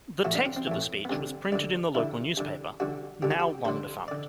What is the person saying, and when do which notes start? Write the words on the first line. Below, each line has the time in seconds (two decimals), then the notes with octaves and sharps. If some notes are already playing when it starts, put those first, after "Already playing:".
The text of the speech was printed in the local newspaper, now long-defunct.
0.25 A2 E3 F#4
0.35 D4
0.46 C4
0.56 C4
0.67 A2 E3
1.05 B3
1.09 G2 D3 C4
1.52 G2 D3 D4
1.95 G2 D3 E4
2.37 G2 D3
2.80 G2 D3 F#4
3.22 G2 D3 G4
3.31 F#4
3.40 G4
3.65 G2 D3 C5
4.08 D3 D5